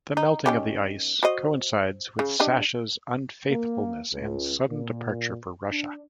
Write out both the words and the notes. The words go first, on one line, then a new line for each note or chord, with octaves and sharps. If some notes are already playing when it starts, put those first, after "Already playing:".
The melting of the ice coincides with Sasha's unfaithfulness and sudden departure for Russia.
D#4
D#3 C#4 G4
F#4 C5 D#5
C#3
D4 G4 D#5
A#3
C#2
A#2
D4